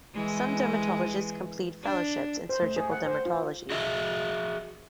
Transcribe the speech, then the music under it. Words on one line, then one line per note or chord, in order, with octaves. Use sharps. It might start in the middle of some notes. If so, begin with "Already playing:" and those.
Some dermatologists complete fellowships in surgical dermatology.
E3 G#3
D4
C5
A3
G#4
F#5
C5
F4
F#4 G#4 D#5 E5